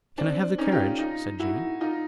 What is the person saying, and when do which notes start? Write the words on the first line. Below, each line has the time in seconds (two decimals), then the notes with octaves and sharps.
"Can I have the carriage?" said Jane.
0.17 C4 D4
0.58 C#4 D#4
0.72 F4 G4
0.99 D#4 F4
1.39 E4 F#4
1.81 D#4 F4